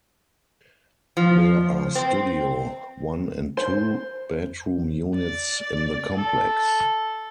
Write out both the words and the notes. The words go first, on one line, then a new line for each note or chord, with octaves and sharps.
There are studio, one, and two bedroom units in the complex.
F3
C4
C5
D5
A4